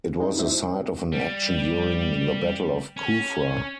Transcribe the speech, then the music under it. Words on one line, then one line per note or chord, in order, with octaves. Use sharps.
It was the site of an action during the Battle of Kufra.
G#3 D#4 E4
E4 F#4 C5 E5
G3
C#4